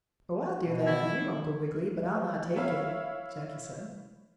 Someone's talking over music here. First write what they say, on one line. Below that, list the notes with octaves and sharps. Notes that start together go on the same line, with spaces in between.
"Oh, I'll do that for you, Uncle Wiggily, but I'll not take it," Jackie said.
B2
E4
E4 C#5 E5 F5